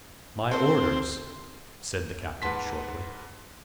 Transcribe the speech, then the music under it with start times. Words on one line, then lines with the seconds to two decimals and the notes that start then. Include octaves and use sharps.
"My orders!" said the captain shortly.
0.51 C4 A4 C5
2.42 G#2 B4 F#5 A5 C6 B6